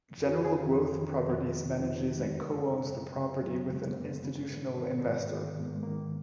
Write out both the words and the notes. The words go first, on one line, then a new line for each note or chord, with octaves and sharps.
General Growth Properties manages and co-owns the property with an institutional investor.
F2
F#4
G#4
D#3 G#4
F2
D#3
F2
D#3
D#4
F2 F4
D#4
D#3
G#3
F#2
C#3
F#2
C#3
F#2 F#3
C#3 G#3
A#3
F#2 B3
C#3
G#2
D#3
G#2
D#3
G#2 B3
A#3
G#3
D#3 A#3